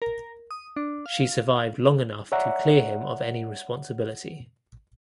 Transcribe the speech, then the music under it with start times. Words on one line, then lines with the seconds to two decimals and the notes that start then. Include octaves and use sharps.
She survived long enough to clear him of any responsibility.
0.02 A#4
0.51 D#6
0.77 D4
1.06 F5
2.32 C#5 D5 E5 F#5 A#5